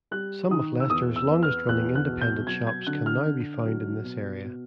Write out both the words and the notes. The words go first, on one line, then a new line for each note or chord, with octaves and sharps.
Some of Leicester's longest running independent shops can now be found in this area.
G3 F#6
D#3 D#6
E6
E2 D#6
E6
B3
F6
E2 F#6
F#6
B2
G6
F#3 G#6
G#6
D3 F#6
F6
D3
F#3
B2
B2